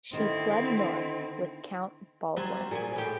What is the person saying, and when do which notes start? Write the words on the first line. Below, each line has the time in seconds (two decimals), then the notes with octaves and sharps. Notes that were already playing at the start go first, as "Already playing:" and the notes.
She fled north with Count Baldwin.
0.13 D3 D#3 C4 E4
2.36 F#3 G3 C5 G#5
2.71 A#2 G#4 G#5
2.96 A2 G4